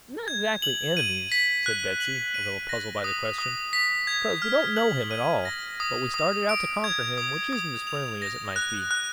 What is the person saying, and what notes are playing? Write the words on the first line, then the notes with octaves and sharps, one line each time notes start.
"Not exac'ly enemies," said Betsy, a little puzzled by the question, "'cause we don't know him at all; but we started out to conquer him, which isn't as friendly as it might be."
G#6
F#7
D#7
B6
F#6
F#7
D#7
A#6
D#6
D#6
B6
G#6
F6
F#7
D#7
A#6
D#6
D#6
D7
G#6
D#6
D#6
F7
A#6
F#6
F#6